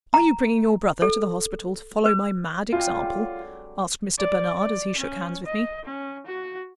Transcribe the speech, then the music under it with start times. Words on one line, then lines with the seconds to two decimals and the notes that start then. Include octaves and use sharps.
"Are you bringing your brother to the hospital to follow my mad example?" asked Mr. Bernard, as he shook hands with me.
0.14 A#5
1.02 A4
2.06 B4
2.73 C3 G3 G#3 F4
2.93 D3 F#3
4.18 D5
4.59 D5
4.97 C#4
5.46 D#5
5.85 C#4
6.26 F#4